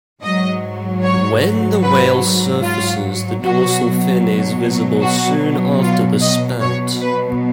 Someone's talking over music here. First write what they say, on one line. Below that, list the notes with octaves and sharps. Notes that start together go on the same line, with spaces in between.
When the whale surfaces, the dorsal fin is visible soon after the spout.
G#2 F#3 D#5
C#5
B4
F4
B2 F#3 F#4
F#4
F4
D#5
B2 F#3 C#5
B4